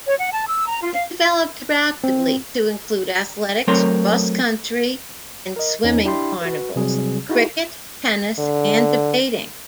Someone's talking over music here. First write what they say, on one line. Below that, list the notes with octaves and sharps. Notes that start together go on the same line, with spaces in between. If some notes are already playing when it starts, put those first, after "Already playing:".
It developed rapidly to include Athletics, Cross-Country and Swimming carnivals, Cricket, Tennis, and Debating.
C#5
F#5
A5
E6
A#5
F4
F5
C4
F#3 A3 C4 A#4 C#5 C6
A#4 D#5
E2 B3 C#4 D#4
D4 E4 G4 G5 B5 C6
F#4 B4
C3 F#3 G3 C4 F#4 G#4
D#4 E4 F#4 G#4
D3